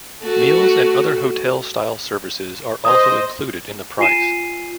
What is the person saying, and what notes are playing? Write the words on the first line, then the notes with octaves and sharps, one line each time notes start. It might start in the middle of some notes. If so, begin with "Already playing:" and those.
Meals and other hotel-style services are also included in the price.
A3 F#4
C5 D#5 D#6
F4 G#5 C7 D#7 E7